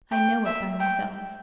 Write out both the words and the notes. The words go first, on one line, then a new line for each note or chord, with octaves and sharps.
I know it by myself.
G5
E5
G5